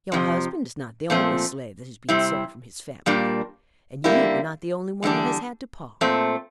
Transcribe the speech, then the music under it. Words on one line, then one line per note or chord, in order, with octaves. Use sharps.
Your husband is not the only slave that has been sold from his family, and you are not the only one that has had to part.
F2 C3 F3
A#2 F3 A3 C4
C3 G3 C4 E4
A#2 G3 A#3 D4
D3 G3 A#3 E4
E2 D3 G3 D4
A#2 A3 C4